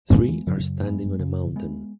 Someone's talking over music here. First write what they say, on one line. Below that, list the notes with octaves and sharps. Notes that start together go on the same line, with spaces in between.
Three are standing on a mountain.
G#2 G#3 B3
E2
F#2 C#3
G#3 B3
C#3
G#3 B3